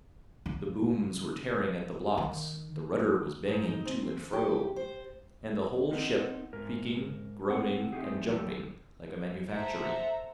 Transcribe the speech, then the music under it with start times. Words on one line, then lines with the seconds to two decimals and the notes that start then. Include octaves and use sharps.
The booms were tearing at the blocks, the rudder was banging to and fro, and the whole ship creaking, groaning, and jumping like a manufactory.
0.46 C#3
2.18 D#3
3.48 G#2
3.63 D#4
3.85 C4
4.33 G4
4.76 C5
5.91 B3 C4 D#4 A#4 D#5
6.53 G#2 A#4
7.49 C4 F#5
7.93 A3 C4 D#4 G4 G#4
8.28 E2 F#3 G4 A4
9.50 A4 C5 E5 F#5 A#5